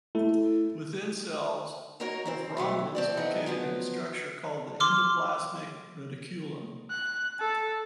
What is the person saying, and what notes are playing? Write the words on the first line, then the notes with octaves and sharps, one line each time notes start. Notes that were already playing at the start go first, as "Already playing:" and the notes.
Within cells, wolframin is located in a structure called the endoplasmic reticulum.
A3 E4
A#3 D#4 F#4 A#4 C#5
C#3 C4 C5
B2 F#3 A3
C4 A4 D5
E2 E3 D#4 G#4 F#5
F3 F#3 B3
C6 D6 F6
F#6
A4